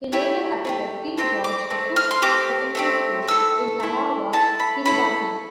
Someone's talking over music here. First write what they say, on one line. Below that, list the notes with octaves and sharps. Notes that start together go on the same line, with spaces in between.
He later attended King George the Fifth Secondary School in Tarawa, Kiribati.
A3 E4 G4
A3 E4 G4
A3 C4 G4 C6
D6
A3 C4
F6
C6
A3 C4 G4 D6
A3 C4 G4
A3 E4 A4 E6
A3 E4 A4
A3 E4 A4 A5
B5
A3 E4 A4 B5